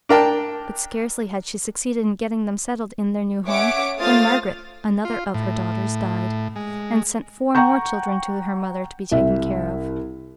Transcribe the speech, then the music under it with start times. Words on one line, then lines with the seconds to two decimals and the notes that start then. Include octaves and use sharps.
But scarcely had she succeeded in getting them settled in their new home when Margaret, another of her daughters, died, and sent four more children to her mother to be taken care of.
0.09 D4 A#4 G5 A5
3.46 C#4 C#5 E5 F#5 D6 D7
3.99 A3 F4 C5 D#6 F6 A6
5.05 F4
5.34 A2
6.56 G#3
7.55 F#5 G5 A#5 C#6 G6
9.12 C2 E5